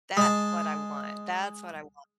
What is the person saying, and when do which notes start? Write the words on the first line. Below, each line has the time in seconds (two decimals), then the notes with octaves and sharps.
That's what I want, that's what I want,
0.17 G#3 A5